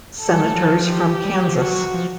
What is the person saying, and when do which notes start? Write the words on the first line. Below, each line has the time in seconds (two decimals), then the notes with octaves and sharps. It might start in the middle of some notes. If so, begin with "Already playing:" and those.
Senators from Kansas.
0.21 A4
0.33 G3
0.44 A3
0.56 F3
0.90 G4
1.25 G3
1.37 F#3
1.49 F3
1.59 F#3 F#4
1.94 F3